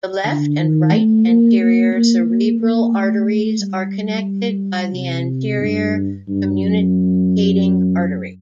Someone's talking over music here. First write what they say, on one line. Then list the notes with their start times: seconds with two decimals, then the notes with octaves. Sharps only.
The left and right anterior cerebral arteries are connected by the anterior communicating artery.
0.24 D3
0.58 D#3
0.92 A3
1.25 A#3
1.59 A#3
1.93 A#3
2.25 A#3
2.59 A#3
2.93 A3
3.60 G3
4.94 C3
5.61 G2
6.28 G2
6.62 F#2